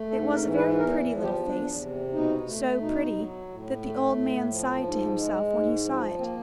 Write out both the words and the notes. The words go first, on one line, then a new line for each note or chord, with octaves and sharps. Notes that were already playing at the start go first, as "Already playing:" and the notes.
It was a very pretty little face, so pretty that the old man sighed to himself when he saw it.
Already playing: A3
G#2 A4
A#4
E3
B4
E2 A#4
F3
G4
E2 D4
C3
B2 D#4
A3
B2 D#4
F#3
A2
A3
A2
F3
G#2
G#3
G#2
F3
A#3 C4